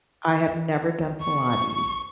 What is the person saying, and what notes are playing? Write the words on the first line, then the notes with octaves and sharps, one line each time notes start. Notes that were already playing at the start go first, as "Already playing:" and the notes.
I have never done Pilates.
C#6